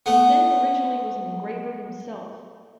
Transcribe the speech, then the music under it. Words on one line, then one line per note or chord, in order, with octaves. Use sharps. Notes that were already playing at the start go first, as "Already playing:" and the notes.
Stent originally was an engraver himself.
A3 B3